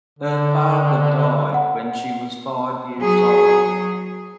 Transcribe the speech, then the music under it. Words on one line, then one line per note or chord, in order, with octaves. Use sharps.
Her father died when she was five years old.
D3
F#5
F#3 G#4